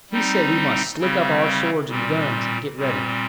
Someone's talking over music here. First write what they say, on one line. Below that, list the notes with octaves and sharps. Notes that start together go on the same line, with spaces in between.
He said we must slick up our swords and guns, and get ready.
G3 C4 D#4
C#3 G3 C4
A#2 G3 C4
A#2 G3 C4